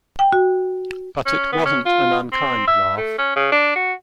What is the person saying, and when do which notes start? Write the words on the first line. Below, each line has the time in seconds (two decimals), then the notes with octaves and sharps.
But it wasn't an unkind laugh.
0.19 G5
0.33 F#4
1.26 C#4
1.52 B3
1.66 C#4
1.86 F4
2.32 C4
2.68 E5
2.97 A3
3.18 C#4
3.36 C#3
3.52 D4
3.75 F#4